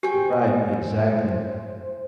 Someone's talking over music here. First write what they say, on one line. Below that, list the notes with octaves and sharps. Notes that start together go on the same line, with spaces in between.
Right, exactly.
G4 G#4 C5 G5